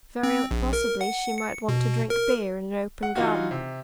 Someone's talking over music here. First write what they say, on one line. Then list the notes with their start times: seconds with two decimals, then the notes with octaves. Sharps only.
Very possibly she might want to drink beer in an open garden.
0.23 C4
0.51 A#1
0.73 A#4
1.01 F#5
1.38 C#7
1.69 B2
2.10 A#4
3.03 F#5
3.16 E3 D#4 F4 F#4
3.51 C3